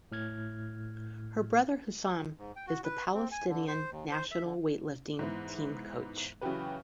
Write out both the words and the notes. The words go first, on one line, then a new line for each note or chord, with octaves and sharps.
His brother Hussam is the Palestinian national weightlifting team coach.
A2 F6 G#6
G#2
G5
F#4
B4
C4
G#5
D3
C5
D#2
C5
E5
D3
G#2 E3 B3
C#3 E3 F#3 F#4 G4 B4